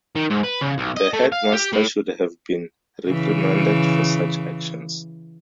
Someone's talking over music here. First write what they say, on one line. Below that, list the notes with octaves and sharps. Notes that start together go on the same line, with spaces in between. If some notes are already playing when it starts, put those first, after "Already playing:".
The headmaster should have been reprimanded for such actions.
D#3
G#2
B4
C#3
B1
D#5
A3
F5
G4
A2
C#3 E3